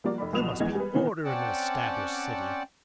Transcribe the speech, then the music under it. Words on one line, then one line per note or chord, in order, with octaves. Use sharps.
There must be order in an established city.
F3 G3 A#3 F#4 D5
F1 D5 B5
C2 B2 F3 D#6 E7 F7
E2 E3 G#3 D#5 G#6
G3 B4
A#2 D#3 E3 B3
C4 C#4 D5 F#5 G5 A5